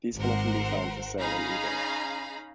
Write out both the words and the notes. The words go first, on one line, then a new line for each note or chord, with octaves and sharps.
These can often be found for sale on eBay.
G#1 A#4 C5 F#5
C#4 D#4 G#4 F5 A#5 B5